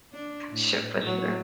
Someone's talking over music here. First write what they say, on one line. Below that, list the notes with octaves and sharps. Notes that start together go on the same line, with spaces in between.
Sh for sure.
D4
A2
A2 F#3